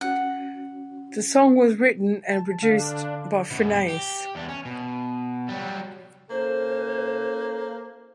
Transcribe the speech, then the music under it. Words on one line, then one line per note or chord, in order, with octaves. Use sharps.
The song was written and produced by Finneas.
C#4 F#4 F#5
A5
D3 D4 F5
F#2 B2
G4
E2 D4
C#4
B2
F#3 G3
A#3 C#4 E4 A4 C5